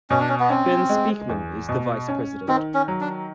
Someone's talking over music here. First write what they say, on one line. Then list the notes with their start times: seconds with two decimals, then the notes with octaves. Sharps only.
Ben Speakmon is the vice-president.
0.10 B2 C#4
0.20 D4
0.29 C#4
0.40 B3
0.50 C4 C#4
0.89 G#3
1.29 E2
1.69 B2
2.08 C#4
2.48 D#3 C4
2.74 C#4
2.88 F#3
3.01 D4